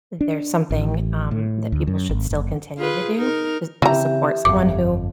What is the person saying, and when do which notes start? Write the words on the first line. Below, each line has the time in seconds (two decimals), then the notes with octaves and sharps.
there's something, um, that people should still continue to do? To to support someone who
0.21 D4
0.71 A1
1.31 A2
1.72 D2
1.87 F#2
2.09 G#1
2.31 F#1
2.78 F4 G#4 B4
3.16 D#4 A#4
3.82 C#3 E3 C4 G4 E5 A#5
4.45 G1 F2 D6